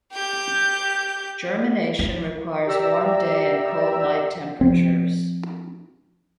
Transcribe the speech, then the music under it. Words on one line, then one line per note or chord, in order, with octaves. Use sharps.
Germination requires warm day and cold night temperatures.
G4 G6
E4
G4 D5 E5 A#5 E6
F3 C4